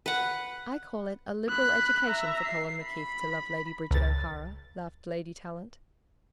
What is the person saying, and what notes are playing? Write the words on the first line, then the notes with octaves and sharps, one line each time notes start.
'I call it a liberal education for Colin McKeith to love Lady Bridget O'Hara,' laughed Lady Tallant.
B4 F#5
B5 F#6
E5 A#5
C7
B5
C#2 A6